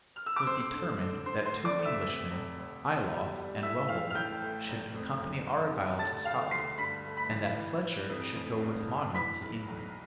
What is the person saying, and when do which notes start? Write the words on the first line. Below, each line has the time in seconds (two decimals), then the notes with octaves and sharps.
It was determined that two Englishmen, Ayloffe and Rumbold, should accompany Argyle to Scotland, and that Fletcher should go with Monmouth to England.
0.16 F6
0.26 E6
0.36 D6
0.47 F2 C5 C6
0.73 D3
1.00 D3
1.25 D3 C5 C6
1.45 C5 C6
1.53 D2
1.65 D5 D6
1.78 D2
1.85 E5 E6
2.04 F2
2.31 F1
2.57 F1
2.84 E2
3.10 G3
3.36 G3
3.63 A2 E5 E6
3.88 A1 F5 F6
4.10 F6
4.15 A1 G5 G6
4.41 A3
4.68 F1
4.94 F2
5.20 B1
5.47 B1
5.73 G3
5.99 D2 A5 A6
6.25 D2 F5 F6
6.51 D2 C6 C7
6.78 G2 B5 B6
7.04 A3
7.17 B5 B6
7.30 A1
7.57 E3
7.83 E3
8.09 F2
8.36 A1
8.62 G2
8.88 G2
9.15 E3 B5 B6
9.41 B1
9.68 B1